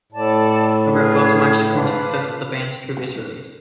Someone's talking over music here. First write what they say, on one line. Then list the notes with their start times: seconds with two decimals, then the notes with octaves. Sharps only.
However, it failed to match the commercial success of the band's previous release.
0.12 A2 A4 D5 A5
0.90 F4 G#4 B4
1.70 G#2 D4 F4 B4 F5